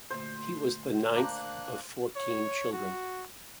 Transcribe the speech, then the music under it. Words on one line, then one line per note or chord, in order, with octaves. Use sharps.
He was the ninth of fourteen children.
D2 A#2 C5
A#3 D4 A5 A#5 D6 F#6
C#5
F#4